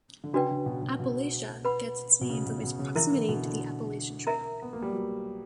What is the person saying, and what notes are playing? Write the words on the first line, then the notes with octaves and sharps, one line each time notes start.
"Appalachia" gets its name from its proximity to the Appalachian Trail.
D3
C#3 D4 F#4 B4 D5 G5
C#3
B2
B2
B2
B4 F#5 B5
B2
C#3
B2
B2
C#3
E3 E4 A#4 E5
D3
B2
D3
A#4 E5 A#5
B3
A#3
G3
F#3